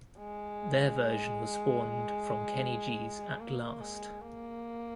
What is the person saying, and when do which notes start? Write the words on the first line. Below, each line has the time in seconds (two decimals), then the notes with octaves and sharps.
Their version was spawned from Kenny G's At Last...
0.18 G#3
3.40 A#3
3.81 G#3
4.21 A#3